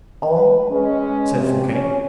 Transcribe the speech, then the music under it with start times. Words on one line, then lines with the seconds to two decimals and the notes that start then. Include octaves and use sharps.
"All?" said Fouquet.
0.28 B4
0.70 G#3 C#4
1.33 F2 C3
1.70 C#4